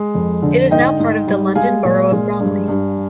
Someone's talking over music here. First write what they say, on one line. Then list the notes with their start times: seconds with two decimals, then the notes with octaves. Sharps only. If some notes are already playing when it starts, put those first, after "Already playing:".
It is now part of the London Borough of Bromley.
Already playing: G#3
0.15 F2
0.42 D3
0.70 G#2 D#5 G5
1.00 G#2
1.28 G3
1.55 G#3 F5 G#5
1.84 A#2
2.12 G#3
2.40 G2
2.68 G2